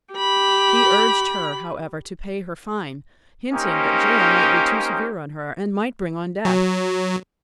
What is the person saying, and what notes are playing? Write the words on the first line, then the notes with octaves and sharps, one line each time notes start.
He urged her, however, to pay her fine, hinting that jail might be too severe on her and might bring on death.
G4 B5
A#3 C#4 D#4 G4 C5
F#3